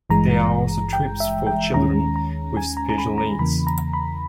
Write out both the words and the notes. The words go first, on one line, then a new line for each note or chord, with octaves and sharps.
There are also troops for children with special needs.
G#1 G2 E3 G#3 A#5
G5
E5
G5
D#2 D#3 G#3 C#4 A#5
A#5
G#5
A#5
A#5
B5
A#5
E2 C#3 E3 A#3 B5
A#5
B5